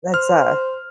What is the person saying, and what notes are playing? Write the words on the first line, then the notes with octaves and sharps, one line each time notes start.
that's a
C5 F6